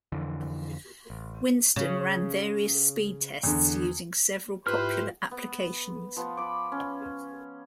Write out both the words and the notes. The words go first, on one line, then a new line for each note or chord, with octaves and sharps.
Winstone ran various speed tests using several popular applications.
F2 D3 E3
A1
C#3
E2 D3
G#2 E4 F4 G4 B4 C5 B5 F6
B3
F3 B3
B5 D6
C#4